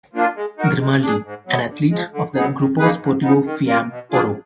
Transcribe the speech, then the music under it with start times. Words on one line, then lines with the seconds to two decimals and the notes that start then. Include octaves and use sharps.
Grimaldi an athlete of the Gruppo Sportivo Fiamme Oro.
0.13 F3 A#3 D4 F4
0.36 G#3
0.57 D#4 F#4 A#4
0.80 G#3
1.02 D4 G#4
1.24 G#2
1.46 F#3 B3
1.68 D3
1.90 F3 G#3
2.12 D3
2.34 F#3 B3 D#4 G#4
2.57 D#3
2.78 A#3 D#4 G#4 B4
3.01 G#2
3.23 F3 B3 D#4
3.45 D#3
3.67 A#3 F4 A#4
3.89 B2
4.11 A#3 D4 F4 G#4